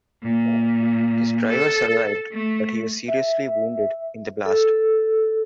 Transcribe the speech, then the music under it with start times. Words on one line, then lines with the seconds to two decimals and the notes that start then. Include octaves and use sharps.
His driver survived, but he was seriously wounded in the blast.
0.23 A#2
1.48 A4
2.32 A3
3.08 E5
4.46 A4